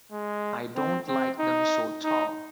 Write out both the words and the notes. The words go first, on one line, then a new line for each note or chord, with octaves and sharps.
I don't like them so tall.
G#3
C4
C4
D#4
D#4